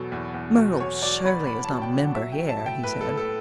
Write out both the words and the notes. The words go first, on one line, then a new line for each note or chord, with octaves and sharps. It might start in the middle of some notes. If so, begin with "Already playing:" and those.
"Merle Shirley is not a member here," he said.
Already playing: E2 B2 F#3 A4
E2
E2
B2
B2 C#5
F#3 D5
B2 B5
E2 B5
A5
B2
G5
F#3
F#5
F#3 E5
G5
F#3
A5
A2
G5
A2 B4
A2 A4
A4